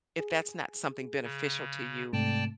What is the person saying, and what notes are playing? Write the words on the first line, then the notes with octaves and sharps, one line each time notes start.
if that's not something beneficial to you,
G#4
C#3
G#2 C3 A3 D5 G5 A5